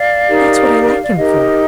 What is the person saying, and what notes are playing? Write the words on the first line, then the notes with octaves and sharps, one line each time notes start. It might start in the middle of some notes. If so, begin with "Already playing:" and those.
"That's what I like him for."
Already playing: D5 F5
D#4 G4 A#4
D5
D#4 G4 A#4 D#5